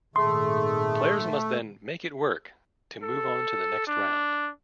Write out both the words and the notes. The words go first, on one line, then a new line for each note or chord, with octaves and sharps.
Players must then "make it work" to move on to the next round.
G#1 A#2 D#3 A3 G#4 C6
A4
D4